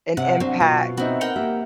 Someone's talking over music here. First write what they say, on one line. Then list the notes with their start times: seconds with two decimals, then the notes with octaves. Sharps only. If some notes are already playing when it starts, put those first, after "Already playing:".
an impact
0.17 C3 C5 F#5
0.40 F#3 C4 D4
0.60 B2 F4
0.97 B3 C4 D#4 E4 F#4
1.21 A#4 F#5 G5
1.36 A#3 G4 E5